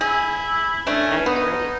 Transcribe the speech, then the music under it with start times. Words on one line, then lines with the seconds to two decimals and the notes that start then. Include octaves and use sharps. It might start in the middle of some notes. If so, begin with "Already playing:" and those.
I agree.
0.01 E4 G#4
0.87 A3 C#4 D4
1.26 B3 D#4